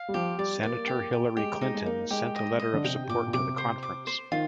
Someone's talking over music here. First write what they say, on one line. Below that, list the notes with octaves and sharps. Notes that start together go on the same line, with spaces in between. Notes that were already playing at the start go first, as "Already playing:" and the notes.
Senator Hillary Clinton sent a letter of support to the conference.
Already playing: F5
G3
F3 G4
G3 D5
A#3 D5
G4
G4
G#3 G4
G#3 D#4
G#3
A#3 D#4
G#3 G4
D#5
D#5
D3
C3 G5
A#2 D6
A#2
C3 D6
C5
D6
C5
D#3 F4